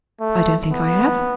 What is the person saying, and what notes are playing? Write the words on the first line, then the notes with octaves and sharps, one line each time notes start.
I don't think I have.
A3
B3